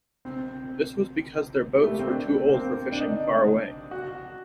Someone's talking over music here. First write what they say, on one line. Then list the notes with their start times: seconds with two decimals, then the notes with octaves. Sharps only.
This was because their boats were too old for fishing far away.
0.25 C4
1.74 G3
1.83 A3
1.91 A#3
1.99 C4
2.08 D4
2.48 A#3
2.54 C4
2.92 D4
3.00 D#4
3.91 F#4